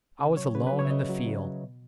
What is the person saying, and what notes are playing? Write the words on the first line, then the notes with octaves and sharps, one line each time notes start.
I was alone in the field.
C#3
F#3 C#5
C#3 B4
B4
F#3
C#5
E5
C#3 D#5
F#3
C#3
F#3
B2